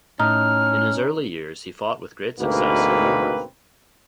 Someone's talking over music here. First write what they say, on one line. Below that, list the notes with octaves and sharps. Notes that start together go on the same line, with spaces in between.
In his early years he fought with great success in the north.
A2 C#4 D#4 F6
D2 G#2 B2 A#3 C4 B4